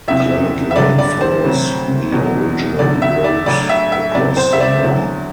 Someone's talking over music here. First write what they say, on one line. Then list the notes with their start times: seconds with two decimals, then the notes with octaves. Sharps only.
Clement Lane follows the original route across the moor.
0.08 E2 C3 E3 E5
0.71 E5
0.76 G2 D3 F#3 D5
0.99 D5
1.21 C5
1.44 D2 C3 F#3
2.12 E2 B2 F#3
2.79 E2 D3 F#3 D5
3.02 E5
3.24 D5
3.46 D2 D3 F#3 D5
3.69 E5
3.92 E5
4.15 E2 C3 F#3 D5
4.37 C5
4.53 E5
4.60 D5
4.82 E2 D3 F#3